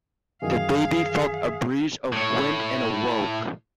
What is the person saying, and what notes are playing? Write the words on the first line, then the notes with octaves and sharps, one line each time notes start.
The baby felt a breeze of wind and awoke.
F#2 D#3 E3 G#4 F5
A2 C#5